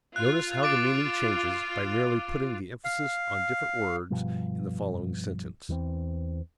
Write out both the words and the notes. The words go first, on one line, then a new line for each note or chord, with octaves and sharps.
Notice how the meaning changes by merely putting the emphasis on different words in the following sentence.
F4 F#6
D6 A6 D7
F5
G2 B2 F3 G3
E2 E3 G3 C4